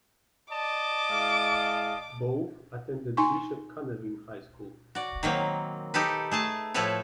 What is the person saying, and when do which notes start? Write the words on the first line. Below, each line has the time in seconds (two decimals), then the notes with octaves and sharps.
Both attended Bishop Canevin High School.
0.52 D5 D#5 A5 D6
1.10 G#3 E4 F5
3.17 D#4 G#5 C#6
4.95 F#4 D5
5.23 D#3 F#3 A#3 C4
5.94 D#4 G4 A4 B4
6.31 A3 G#4 A5
6.74 A2 F3 E4 A4 B4 C#5